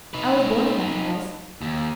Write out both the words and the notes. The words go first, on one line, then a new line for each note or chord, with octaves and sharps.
I was born in that house.
D#4 B4
D#2